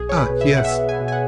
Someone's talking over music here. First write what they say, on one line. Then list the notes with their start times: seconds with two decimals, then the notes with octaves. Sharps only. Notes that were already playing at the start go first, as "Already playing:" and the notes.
Ah, yes!
Already playing: B1 G#4
0.09 C#5
0.17 B4
0.29 B2
0.41 E5
0.57 F#5
0.65 B2 E5
0.89 G#5
1.01 B2
1.08 G#5
1.12 F#5